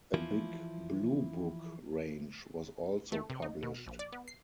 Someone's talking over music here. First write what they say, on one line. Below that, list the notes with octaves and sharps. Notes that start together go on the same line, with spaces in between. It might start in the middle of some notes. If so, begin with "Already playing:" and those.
A Big Blue Book range was also published.
E3 F3 E4 F4
A3
C3
D#4
B2
A#1
D5
B3
C7